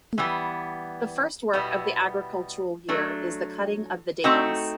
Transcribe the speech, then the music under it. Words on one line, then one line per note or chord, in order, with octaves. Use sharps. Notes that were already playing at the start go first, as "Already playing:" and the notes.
The first work of the agricultural year is the cutting of the dams.
E3 G3 B3
B2 G3 B3 E4
F#3 A3 D4
A3 C4 D#4 F#4